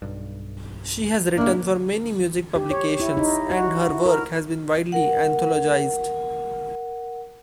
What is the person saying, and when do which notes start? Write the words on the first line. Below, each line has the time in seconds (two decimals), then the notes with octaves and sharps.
She has written for many music publications, and her work has been widely anthologized.
0.02 B1 G2
1.38 A2 C#3 A#3 D4 E4
2.56 G4
2.71 C#5
3.00 E4
3.17 D#4
3.51 F#4
3.89 E4
4.06 A#4
4.92 A#4 F#5